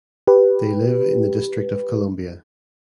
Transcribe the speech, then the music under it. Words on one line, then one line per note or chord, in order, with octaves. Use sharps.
They live in the District of Columbia.
G4 B4